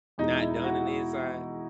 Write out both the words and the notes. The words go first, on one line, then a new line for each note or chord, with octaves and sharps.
not done in the inside
E2 B2 G#3 D#4
E4
D#4
E4
F#4
F#4